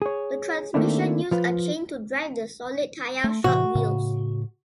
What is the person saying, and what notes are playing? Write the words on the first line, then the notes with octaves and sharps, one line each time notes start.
The transmission used a chain to drive the solid tyre shod wheels.
G#4 C#5
D#3 A3 A#3 C4 D4 E4
F3 F4 B4
A3
A2 C3 E3 F#4
A2 C#3